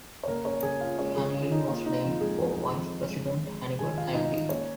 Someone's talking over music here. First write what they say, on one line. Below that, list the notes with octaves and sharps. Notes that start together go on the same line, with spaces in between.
Hamlin was named for Vice President Hannibal Hamlin.
C#5
C#3 A#3 A#4
C#4 C#5
C#3 G#4 G#5
F4 F5
G#3 C#4 C#5
G#3 G#4
G#3 F4
D#4
A#3 F4
D#4
F2 F4
G#3 G#4
F2
F2
G#3
G#3
D#3 G#4 G#5
F4 F5
G#3 D#4 D#5
D#4 D#5
A#3 C#4 C#5